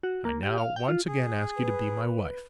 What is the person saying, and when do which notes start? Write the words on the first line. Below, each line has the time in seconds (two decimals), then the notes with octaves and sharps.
I now once again ask you to be my wife.
0.03 F#4
0.25 A#3
0.43 G4
0.58 F5
0.76 G5
0.88 F4
1.07 G#4
1.56 B4